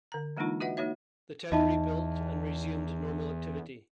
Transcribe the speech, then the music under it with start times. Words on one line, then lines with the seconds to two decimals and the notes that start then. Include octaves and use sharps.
The town rebuilt and resumed normal activity.
0.12 D3 A#5
0.37 E3 G#3 A#3 D4 D#4 F4
0.60 F#4 B4 D#5 E5 F#5
0.77 A#3 D#4 F#4 C#5 E5
1.52 E2 D#4 D#5 E5 A5